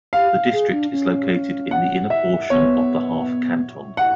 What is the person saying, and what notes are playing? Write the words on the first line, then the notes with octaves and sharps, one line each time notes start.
The district is located in the inner portion of the half canton.
G4 F5
G#4
D4
C#4
F#5
E5
B3 C#5
F#5